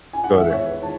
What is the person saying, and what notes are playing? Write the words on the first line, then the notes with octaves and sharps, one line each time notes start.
Go there.
G#5
F#5
E2 D#3 G#3 E5
C#5
B4
D#3 G#3 A5